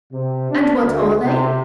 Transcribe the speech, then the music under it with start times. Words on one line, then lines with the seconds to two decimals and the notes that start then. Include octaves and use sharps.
"And what are they?"
0.12 C3
0.50 D4
0.81 D2
1.24 C3